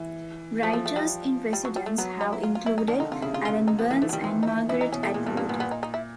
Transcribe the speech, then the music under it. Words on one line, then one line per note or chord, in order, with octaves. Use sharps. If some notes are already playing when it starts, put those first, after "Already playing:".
Writers-in-residence have included Alan Burns and Margaret Attwood.
Already playing: E3
F3 A3
A3
A3
G3
G3
F#3
G3
A3
F#3 B3
D#4
E4
F4
F4
E4
D#4
D#3 D4
D3 D#4
C3 F4
C#3 E4
C3 F4
F4
D#4
F3 B3
E3 A#3
E3 A3
F#3
D#3 G3
E3 C4
D#4
E4
E3 E4
D#4
B2 C#4
A3
A#2 G#3
G2 A3
A#3
A#2 B3
B3
D#4
D#4
E4